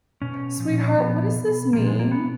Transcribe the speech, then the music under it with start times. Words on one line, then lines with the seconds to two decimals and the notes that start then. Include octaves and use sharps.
"Sweetheart, what does this mean?"
0.22 B2 C#4
0.60 A#2 F3
0.98 A#2 F3 B3
1.36 B2
1.73 A#2 F3 A#3
1.87 G#3
1.99 A#3
2.12 B2 B3